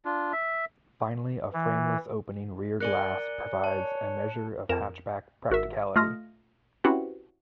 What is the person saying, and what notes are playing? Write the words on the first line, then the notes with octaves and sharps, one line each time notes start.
Finally, a frameless opening rear glass provides a measure of hatchback practicality.
D4 F4
E5
E3
A#4 D5 G#5 F#6 C#7 G7
C#5 A5
F2 A#4 E7
G#1 F#4 A#4 E5
A3 F4 D#5 F6 A#6
C4 C#4 E4 F#4 G4 B4